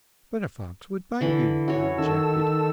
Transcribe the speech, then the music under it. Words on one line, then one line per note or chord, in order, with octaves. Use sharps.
"But a fox would bite you," I objected.
D3 E3 B5
C#4 E4 F#4 C#5
D#3 A4 E6